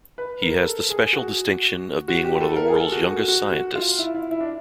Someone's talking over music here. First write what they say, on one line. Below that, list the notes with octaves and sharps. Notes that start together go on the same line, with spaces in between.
He has the special distinction of being one of the world's youngest scientists.
B4
A#4
A4
G#4
F#4
F#4
G4
A4
A#4
G#4
A4
F#4
F#4
F#4
F#4
F4
E4
E4
E4
D4